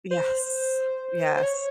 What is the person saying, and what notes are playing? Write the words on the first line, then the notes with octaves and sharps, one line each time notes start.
Yes. Yes.
C5
C5
C#5